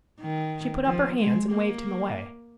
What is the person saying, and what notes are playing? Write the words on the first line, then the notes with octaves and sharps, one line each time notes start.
She put up her hands, and waved him away.
D#3
F3
G#3
A#3